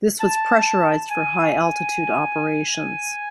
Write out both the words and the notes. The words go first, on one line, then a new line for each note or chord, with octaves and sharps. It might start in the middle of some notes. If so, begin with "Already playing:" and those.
This was pressurised for high-altitude operations.
A5
G#5